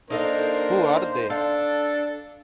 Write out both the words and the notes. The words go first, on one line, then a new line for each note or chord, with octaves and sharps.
Who are they?
A#3 D4 D#4 A4 A#4 C5 D#5
D4 A4 F5